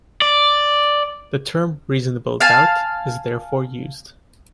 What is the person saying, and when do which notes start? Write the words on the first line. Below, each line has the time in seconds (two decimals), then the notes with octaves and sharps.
The term "reasonable doubt" is therefore used.
0.22 D5
2.40 F5 G#5 A5